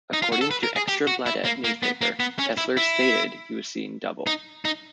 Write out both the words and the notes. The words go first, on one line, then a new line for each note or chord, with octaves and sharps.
According to Ekstra Bladet newspaper, Kessler stated he was seeing double.
D#4
F4
F#4
A4
B4
A#4
G#4
G4
F#4
E4
A#3
A#3
B3
A#3
B3
C#4
E4
E4
D#4
D#4